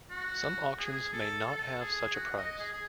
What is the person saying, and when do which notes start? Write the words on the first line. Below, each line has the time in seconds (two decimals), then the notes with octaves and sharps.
Some auctions may not have such a price.
0.10 F#4
0.78 G#4
1.13 A4
1.47 A4
1.80 G#4
2.14 F#4
2.37 D#5
2.59 G#4
2.73 G#4